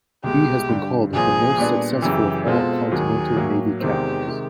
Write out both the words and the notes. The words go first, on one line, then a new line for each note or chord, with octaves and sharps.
He has been called "the most successful of all Continental Navy captains".
C2 B2 G#3 G4
G2 D3 G3
C2 A#2 F3 G#4
A#2 G3 B3 D4
F#2 C#3 E3 G4
B2 G#3 C4 F4 A4
D#2 D#3 F#3 G#4
A2 F#3 A#3
E2 C3 D#3 G#3 C4 G4
C3 D#3 G#3